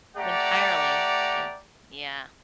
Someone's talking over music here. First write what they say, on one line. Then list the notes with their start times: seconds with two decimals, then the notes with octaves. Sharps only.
entirely. And yeah.
0.17 A3 G4 D5 F#5 A#5